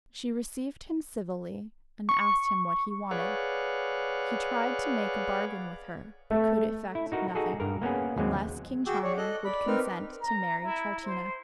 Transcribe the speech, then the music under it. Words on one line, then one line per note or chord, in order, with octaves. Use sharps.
She received him civilly, and asked him what he wanted. He tried to make a bargain with her but could effect nothing, unless King Charming would consent to marry Troutina.
C#6
G#4 B4 C#5 D5 F5 F#5
A3
E4
D#4 F#4 A#4
D#4 F#4 G#4 A4
G2 A#4
A#3 B3 C#4 G#4
D#2 F#3 G#3 C4
F#4 G#4 G5 D6 E6
C#5 D5
A4 D#5 F#6
D5 B5
C4 D#4 A#4 B4 F6
A#5
E4
C5